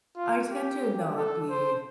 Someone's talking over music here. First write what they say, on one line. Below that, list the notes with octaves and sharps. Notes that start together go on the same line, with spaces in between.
I tend to not be
F4
G4
A4
C5